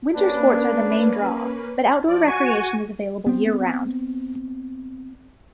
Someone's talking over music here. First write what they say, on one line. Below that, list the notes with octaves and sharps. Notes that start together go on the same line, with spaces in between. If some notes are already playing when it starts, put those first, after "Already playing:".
Winter sports are the main draw, but outdoor recreation is available year-round.
A#3 C#4 D4 B4
F3 D5
F#4 G#5 C#6
B3 C4